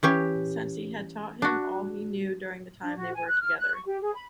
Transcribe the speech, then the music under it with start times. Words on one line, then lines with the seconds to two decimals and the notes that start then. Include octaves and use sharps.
Since he had taught him all he knew during the time they were together.
0.03 E3 C#4 G4
1.42 D4 F#4
2.83 D4
2.96 F#4
3.15 G#5
3.27 F#6
3.41 F6
3.57 F#6
3.73 C#6
3.86 G4
4.01 G#4
4.15 B5